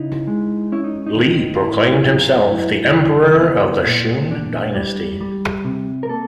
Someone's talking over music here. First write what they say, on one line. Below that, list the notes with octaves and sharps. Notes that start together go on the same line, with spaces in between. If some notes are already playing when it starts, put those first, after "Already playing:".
Li proclaimed himself the Emperor of the Shun dynasty.
Already playing: C#3 D#4 E4
G#3
C#4 E4
D#4
D#4
D#3
F4
A2 E4
E4
F#3
F4
F#2 E4
C#3
B3
A#2
D4
G3
G3
C3
A#4
A#3 A4